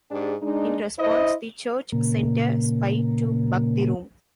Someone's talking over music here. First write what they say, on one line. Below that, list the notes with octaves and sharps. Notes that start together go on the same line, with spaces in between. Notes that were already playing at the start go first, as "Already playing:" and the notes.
In response, the church sent a spy to bug the room.
G#2 D4 G4 G#4
G#3 D4 D#4
E4 C5 D#5
A#2 C#3 A#3